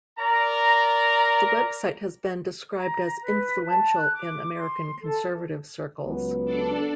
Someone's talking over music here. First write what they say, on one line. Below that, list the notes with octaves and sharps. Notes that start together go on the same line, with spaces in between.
The website has been described as influential in American conservative circles.
A#4 D5 A#5
A#5
B4
A5
F#6
D6
C6
A4
C#2 F#3 B3
D4 A4 D5